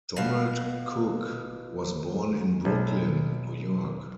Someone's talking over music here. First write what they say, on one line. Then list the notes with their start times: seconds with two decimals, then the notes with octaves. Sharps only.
Donald Cook was born in Brooklyn, New York.
0.16 B2 F5
2.65 B1